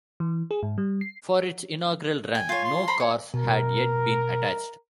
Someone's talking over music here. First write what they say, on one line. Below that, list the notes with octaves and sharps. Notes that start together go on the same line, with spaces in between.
For its inaugural run, no cars had yet been attached.
E3
G#4
G#2
G3
C7
G5 G#5
F4 C#5
C6
C5 A#5 B5
C#5
B2 A#4